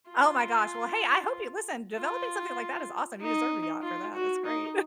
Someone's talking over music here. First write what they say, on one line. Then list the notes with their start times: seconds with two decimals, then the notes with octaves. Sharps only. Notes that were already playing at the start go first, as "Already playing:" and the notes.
Oh my gosh, well, hey, I hope you listen, developing something like that is awesome, you deserve a yacht for that, that's great.
0.10 F4
1.96 F4
3.21 D#4
3.82 F4
4.14 F#4
4.45 D#4